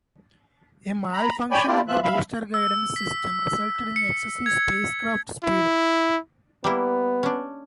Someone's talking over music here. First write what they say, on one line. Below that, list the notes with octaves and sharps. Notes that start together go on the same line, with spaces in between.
A malfunction in the booster guidance system resulted in excessive spacecraft speed.
A#5 B5
C#5 D5 G5 G#5 B5
A#3 D4 E4 F4 G4 D5
E2 E3 F3 F4 E5 F#6
E5 F5 B5
E6
B6
C#7
G#6
E4
G3 A#3 B3 E4
C#4 D4